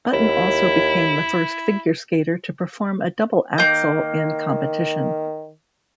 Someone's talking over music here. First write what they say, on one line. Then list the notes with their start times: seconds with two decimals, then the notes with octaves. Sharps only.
Button also became the first figure skater to perform a double axel in competition.
0.14 D#2 E4
3.58 D#3 A#3 G6